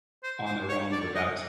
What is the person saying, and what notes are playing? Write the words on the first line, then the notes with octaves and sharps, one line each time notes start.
on their own without,
C5
C5
C#5
D5
D#5